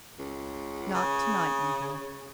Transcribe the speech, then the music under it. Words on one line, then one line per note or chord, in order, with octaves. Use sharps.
"Not tonight, my boy."
C#2
C#3